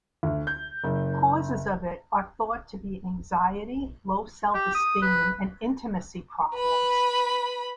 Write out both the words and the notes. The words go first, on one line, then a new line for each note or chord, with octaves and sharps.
Causes of it are thought to be anxiety, low self-esteem and intimacy problems.
D2
G6
F#1
G4
D#6
B4
B4 B5